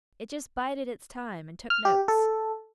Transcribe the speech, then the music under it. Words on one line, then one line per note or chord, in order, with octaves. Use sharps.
It just bided its time and took notes.
F6
G4
A4